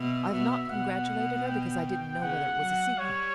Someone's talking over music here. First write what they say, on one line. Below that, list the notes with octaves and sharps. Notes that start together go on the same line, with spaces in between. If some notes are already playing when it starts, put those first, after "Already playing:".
I have not congratulated her, because I didn't know whether it was a secret.
Already playing: B2 E5
B2
B2 F#5
G5
C#3 F#5
F#3
G3 C#5